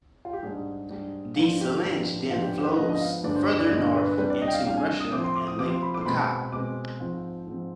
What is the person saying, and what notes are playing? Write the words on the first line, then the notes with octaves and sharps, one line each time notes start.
The Selenge then flows further north into Russia and Lake Baikal.
F4
G4
G#2 G3 D4 G#4
G#2 G3 D4
G#2 F3 B3 D4 F4
G4
G#2 F3 B3 D4
G#2 F3 B3 D4 F4
G4
G4
C5
B4
G#2 F3 B3 D4 D#5
D#5
F5
G2 D3 G#3 B3 D4 D5
C5
B4
D5
G2 D3 G#3 B3 D4 D#5
B4
C3 G3 D4 B4
D5
D#5
G5
F5
C3 G3 D4 F5
G#5
D#6
C3 F3 C4 D6
C6
D6
D#6
C3 F3 C4 D6
C6
B5
D6
C6
B2 G#3 C4 B5
B2 G#3 C4 D6
G#2 F3 C4
G#2 F3 C4